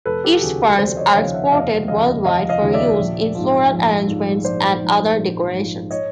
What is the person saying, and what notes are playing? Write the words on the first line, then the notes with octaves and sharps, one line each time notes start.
Its ferns are exported worldwide for use in floral arrangements and other decorations.
F1 A4 B4
G4 A4
D#2 C#3 F3 F#4 G#4
F1 C5 D5
C#5 D#5
D#2 C#3 F3 D#5 F5
E5 F#5
F1 D#5 F5
D#2 C#3 F3 D#5 F5
F1 D#5 F5
D#5 F5
D#2 C#3 F3
D5 E5
A#1
G#2 F3
A#1
G#2 F3
A#1 C5 D5
G#2 F3
A#1
G#2 F3
C#5 D#5